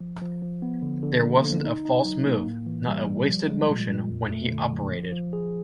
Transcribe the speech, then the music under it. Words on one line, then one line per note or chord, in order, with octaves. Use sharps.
There wasn't a false move, not a wasted motion, when he operated.
F3
F3
F3
B3
D3
D3
A#3
D3
D#4
D#4
F#3
A#3
A2
E3
G3
G3
F3
G#3
A#2
A#2
F2
A3
D3
F#3
F3
F3
G#4